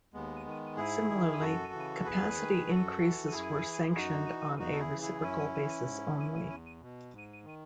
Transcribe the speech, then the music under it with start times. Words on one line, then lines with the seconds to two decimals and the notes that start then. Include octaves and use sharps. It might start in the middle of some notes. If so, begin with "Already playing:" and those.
Similarly, capacity increases were sanctioned on a reciprocal basis only.
0.14 D#2 G#3 B3
0.46 D#3
0.77 G#2 E4 G#4
1.09 D#3
1.40 F#2 F#4 A4
1.72 C#3 E3
2.04 E2 G#4 B4
2.36 D#3
2.67 F#2 F#4 A4
3.00 E3
3.31 F#2 E4 G#4
3.64 E3
3.94 F#2 D#4 F#4
4.27 E3
4.58 E2 D#4 F#4
4.73 A4
4.80 E4 G#4
4.91 C#3 E3
5.01 E4 G#4
5.21 F#2 C#4 E4
5.54 E3
5.85 G#2
6.18 E3
6.49 E2
6.82 B2
7.13 G#2
7.44 D#3